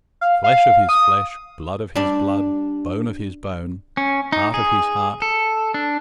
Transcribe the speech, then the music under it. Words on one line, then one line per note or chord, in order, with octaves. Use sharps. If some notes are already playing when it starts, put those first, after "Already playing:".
Flesh of his flesh, blood of his blood, bone of his bone, heart of his heart.
F5
F5
D#6
G3 D4
C#4
D#4
G#4
A4
D4